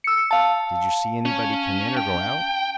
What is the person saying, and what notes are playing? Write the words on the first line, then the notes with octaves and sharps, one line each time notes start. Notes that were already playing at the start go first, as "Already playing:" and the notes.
"Did you see anybody come in or go out?"
E6 C#7
F5 A5
C#4
G5